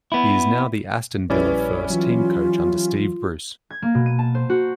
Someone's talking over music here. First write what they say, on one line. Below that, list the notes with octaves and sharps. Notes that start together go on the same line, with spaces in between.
He is now the Aston Villa first team coach under Steve Bruce.
B3 E4
A#1 G3 C#4 E4 B4 D5
E3 F#3 F4
G#6
A#3
B2
D#7
A5
C5
F#4